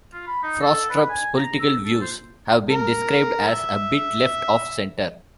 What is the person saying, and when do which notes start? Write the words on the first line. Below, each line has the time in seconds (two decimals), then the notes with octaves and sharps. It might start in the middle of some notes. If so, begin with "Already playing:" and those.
Frostrup's political views have been described as "a bit left-of-centre".
0.13 F4
0.27 B5
0.43 D#4
0.62 A4
0.90 B4
1.09 G#5
1.37 A#5
1.60 E6
1.86 A4
2.01 C5
2.69 A#4
3.48 E5